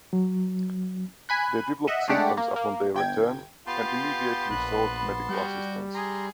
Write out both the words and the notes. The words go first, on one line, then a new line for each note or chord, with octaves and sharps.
They developed symptoms upon their return and immediately sought medical assistance.
F#3
G#5 B5 F#6
D#5 E5 F#5
G#3 A3 D4 G4 D5 F#5
A#3
A#3
G1 G5 G#6
B3 F4 G4 A5 C6
A#1 B4
G3 F#4 G5
G#4 A#5 C6